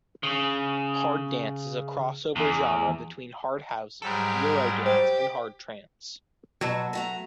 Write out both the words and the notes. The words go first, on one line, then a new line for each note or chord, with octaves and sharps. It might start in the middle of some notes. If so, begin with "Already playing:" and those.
Hard dance is a cross over genre between hard house, Eurodance and hard trance.
C#3
E2
G#2 F#3 G3 A4 A#4
G4 C5
B2 F#3 F#4 A5 E6
A3 F#4 A#5 A#6